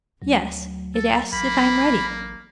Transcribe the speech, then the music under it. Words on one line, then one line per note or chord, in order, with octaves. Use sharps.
"Yes; it asks if I am ready."
D2 F#3
A4
A1 A#3 B5